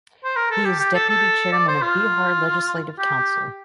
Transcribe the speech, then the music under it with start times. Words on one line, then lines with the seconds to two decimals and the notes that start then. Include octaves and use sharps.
He is Deputy Chairman of Bihar Legislative Council.
0.24 C5
0.36 A#4
0.50 A4
0.65 G4
0.80 G4
0.94 A4
1.09 A4
1.53 D5
1.68 C5
1.82 F4
2.98 G4